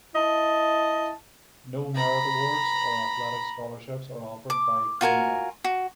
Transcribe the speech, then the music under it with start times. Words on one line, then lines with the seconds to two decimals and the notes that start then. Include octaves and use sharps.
No merit awards or athletic scholarships are offered by Pomona.
0.16 E4 D#5 A5
1.95 A#5 B5
4.50 D6
5.01 F4 F#4 A#4 G#5
5.64 F#4